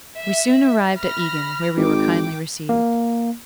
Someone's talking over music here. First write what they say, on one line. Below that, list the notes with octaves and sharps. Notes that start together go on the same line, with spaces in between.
We soon arrived at Egan, where we were kindly received.
E5
B5 F6 A#6
G#1 G5 D6
A#3